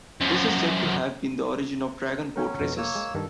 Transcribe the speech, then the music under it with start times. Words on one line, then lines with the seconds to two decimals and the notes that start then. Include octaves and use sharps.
This is said to have been the origin of dragon boat races.
0.21 F#2 F3
2.36 F#3 C#4 A#4 G5 G#5
2.60 F2 B2
2.77 A#3 C#5 E6
2.95 G#3
3.15 G2 D#3 A4